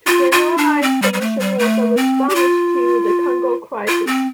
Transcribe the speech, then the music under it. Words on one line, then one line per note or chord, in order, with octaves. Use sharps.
To generalise, the mission was a response to the Congo Crisis.
F4
F4
D4
C4
G3
G3
A3
G3
A3
C4
G4
F4
F4
C4